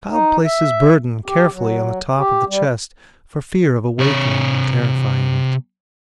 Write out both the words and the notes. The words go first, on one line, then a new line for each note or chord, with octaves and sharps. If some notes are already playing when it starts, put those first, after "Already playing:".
The child placed his burden carefully on the top of the chest, for fear of awakening and terrifying it.
D#4
E5
G4
F#3
G4
G3
C3 C#5